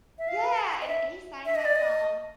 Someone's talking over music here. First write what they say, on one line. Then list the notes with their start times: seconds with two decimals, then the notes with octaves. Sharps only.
Yeah! And he sang that song
0.18 E5
0.28 F5
0.81 D#5
0.87 E5
1.45 E5
1.55 D#5
1.65 D5
1.76 D#5